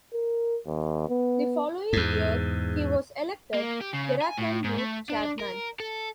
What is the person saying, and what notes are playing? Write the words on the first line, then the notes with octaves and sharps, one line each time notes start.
The following year, he was elected Gerakan Youth chairman.
A#4
D#2
B3
E2 G#2
A#3
G4
C#3
G#5
A2
G#2
A3
D4
A#4
A4